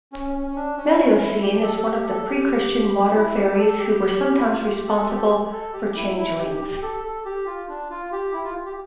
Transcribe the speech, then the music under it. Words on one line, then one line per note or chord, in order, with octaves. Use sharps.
Melusine is one of the pre-Christian water-faeries who were sometimes responsible for changelings.
C#4
C#4
C#4
D4
C#4
C#4
E4
G4
A4
A4
G4
A4
A4
G4
E4
G4
A4
G4
E4
F4
G4
A4
G4
A4
G4
A4
G4
E4
E4
G4
G4
G4
A4
A4
G4
F4
D4
F4
G4
E4
F4
G4